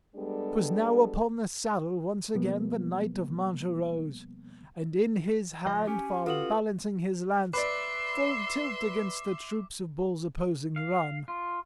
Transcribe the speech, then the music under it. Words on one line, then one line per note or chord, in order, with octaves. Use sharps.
'Twas now upon the saddle once again the knight of Mancha rose, and in his hand far balancing his lance, full tilt against the troops of bulls opposing run.
G3 G#3 B3 D4 G4 A4
B2 F3 G3 A#3 B3
C#2 F3 D#5
C#4 G4 G#5
F4 F#4 A4 B4 D#6 F#7
B4 D5 E5 C6 D6 C7
F5
F4